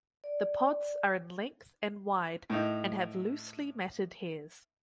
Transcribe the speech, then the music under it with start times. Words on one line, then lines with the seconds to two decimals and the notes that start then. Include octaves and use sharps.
The pods are in length and wide and have loosely matted hairs.
0.24 D5
2.50 A2 D#4